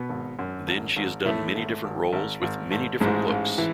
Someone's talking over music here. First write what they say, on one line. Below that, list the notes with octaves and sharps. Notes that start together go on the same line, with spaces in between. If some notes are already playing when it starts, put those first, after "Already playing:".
Then she has done many different roles with many different looks.
Already playing: B2 B3
G#1
F#2
G#1
G#1
A2 E3 A3
G#1
G#1
G#1
G#1
G#1
A1 G#2 G#3
A1
E3